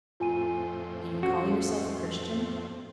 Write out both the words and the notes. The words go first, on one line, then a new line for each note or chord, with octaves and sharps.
"Do you call yourself a Christian?"
F2 A2 C4 F4 G#5 D#7
C#4 F#4